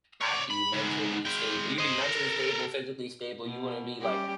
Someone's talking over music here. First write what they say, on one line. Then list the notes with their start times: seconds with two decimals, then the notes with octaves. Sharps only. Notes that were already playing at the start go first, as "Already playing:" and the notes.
happy, mentally stable you'll be mentally stable, physically stable, you wouldn't be, like,
0.21 C#5 D5
0.50 B5
0.73 G#2 B3
1.25 G#3 G5
1.78 C5 D#5
2.01 A4 A#4
3.45 B2
4.01 G3 C#4 G4